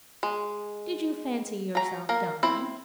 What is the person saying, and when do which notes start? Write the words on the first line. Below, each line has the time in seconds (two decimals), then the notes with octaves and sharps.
"Did you fancy yourself dying?"
0.23 G#3
1.75 F#3 A#5
2.09 A#3 A#4
2.43 C4 E4